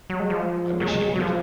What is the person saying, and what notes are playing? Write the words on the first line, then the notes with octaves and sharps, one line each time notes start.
I wish he would!
F#3
G#3
F3
G#3
F#3
G#3
F#3
F#3
F3